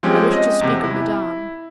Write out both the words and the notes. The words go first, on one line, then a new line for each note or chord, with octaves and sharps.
"I wish to speak of Madame."
F3 G#3 C4 C#4 G4
D#5
E2 C3
E4